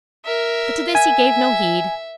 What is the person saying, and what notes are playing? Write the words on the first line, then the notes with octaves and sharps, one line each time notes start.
But to this he gave no heed.
A#4 E5
E5 G#5